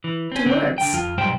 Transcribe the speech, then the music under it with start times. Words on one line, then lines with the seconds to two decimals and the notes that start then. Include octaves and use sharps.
"Two words?"
0.04 E3
0.32 C4 C#4
0.46 D3 C4
0.78 D3 G5
0.93 F2 F4
1.18 B1 G#2 G3 C5 G5